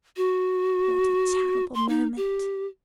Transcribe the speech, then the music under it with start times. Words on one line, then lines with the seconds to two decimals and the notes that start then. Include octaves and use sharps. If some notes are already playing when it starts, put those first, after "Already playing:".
"What a terrible moment!"
0.17 F#4
1.74 C6
1.89 D#4
2.17 G4